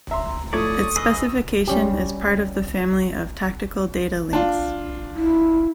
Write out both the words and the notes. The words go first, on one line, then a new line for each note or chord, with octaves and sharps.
Its specification is part of the family of Tactical Data Links.
E5 A#5 C6
A2 F3 A3 C#5 D5 C#6 D#6
G#4 B4 D#5 E6
G3 C#4 G4
D4 F4
E4